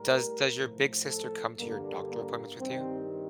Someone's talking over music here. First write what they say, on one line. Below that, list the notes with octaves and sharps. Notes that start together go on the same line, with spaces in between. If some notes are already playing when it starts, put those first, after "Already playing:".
Does does your big sister come to your doctor appointments with you?
Already playing: A2 G3 A#4
A2 F3
A4
G2 D3 G3 A#3
A#3
G2 D#3 G3 C4